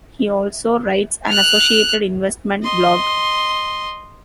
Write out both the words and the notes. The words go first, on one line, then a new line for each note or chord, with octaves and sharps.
He also writes an associated investment blog.
F6 F#6
D#5 C6